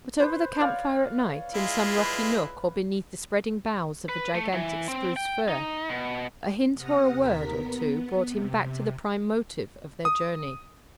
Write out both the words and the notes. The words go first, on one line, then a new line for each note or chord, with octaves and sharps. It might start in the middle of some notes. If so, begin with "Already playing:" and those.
But over the camp-fire at night, in some rocky nook, or beneath the spreading boughs of a gigantic spruce-fir, a hint or a word or two brought him back to the prime motive of their journey.
B4 C5
C#5 D5 F5
G#3 E4 F4
B4
B4
A3
E3
C4
G5
D#4
B2
C3 F#5 D#6 F6 A#6
D#2 A#4 A#5 B6
B3
C3
D#6